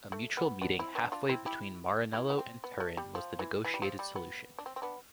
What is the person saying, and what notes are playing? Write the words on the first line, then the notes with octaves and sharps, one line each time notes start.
A mutual meeting halfway between Maranello and Turin was the negotiated solution.
A3
B3
B3 D4
C4 E4
B3 D4
D4 F4
C4 E4
E4 G4
E4 G4
B3
C4
B3
A3
G3
F3
E3
E3
G3
F3
G3
B3
D4
C4
C4
B3 D4